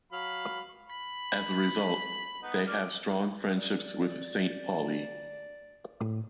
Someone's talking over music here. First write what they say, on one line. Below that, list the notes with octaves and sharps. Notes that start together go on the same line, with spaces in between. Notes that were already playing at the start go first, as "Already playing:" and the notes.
As a result, they have strong friendships with Saint Pauli.
F#3 F5 B5
B5
B3 D#4
D5 F6
D5
A2